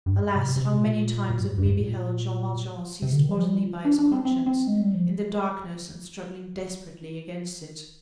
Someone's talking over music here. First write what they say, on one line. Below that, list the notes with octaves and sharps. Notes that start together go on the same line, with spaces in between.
Alas! how many times have we beheld Jean Valjean seized bodily by his conscience, in the darkness, and struggling desperately against it!
G2
G#2
C3
C3
A#2
A#2
G#2
G2
G#2
A#2
C3
D3
D#3
G3
F3
G3
D4
D4
C4
C4
C4
G#3
G3
F3